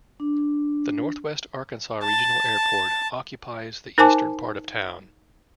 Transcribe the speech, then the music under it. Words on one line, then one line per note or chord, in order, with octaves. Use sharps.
The Northwest Arkansas Regional Airport occupies the eastern part of town.
D4
A5
D#4 A#4 C5 G#5 A5 D6